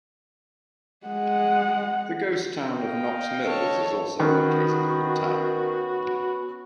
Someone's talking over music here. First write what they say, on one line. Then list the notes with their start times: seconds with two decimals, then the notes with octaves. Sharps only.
The ghost town of Knox Mills is also located in the town.
1.07 G#3 F#5
2.72 D#5 F5 G5
3.46 A4 C#5
4.19 D#3 B3 C#4 F#4